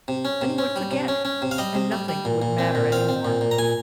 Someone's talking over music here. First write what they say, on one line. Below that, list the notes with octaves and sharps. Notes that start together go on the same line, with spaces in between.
Then he would forget, and nothing would matter any more.
C3
C#4
C3
C#4
G3
C3
C#4
C#4
C3
F5
G3 D#5
C3
G3
G3
A#2
A#2
C4
A#2
C4 F5
C4
A#2
A#2
A#5
A#2 G#5